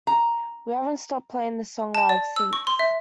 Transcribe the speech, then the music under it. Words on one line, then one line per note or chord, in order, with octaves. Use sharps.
We haven't stopped playing the song live since.
A#5
A5
D5
E6
C#6
C6
E5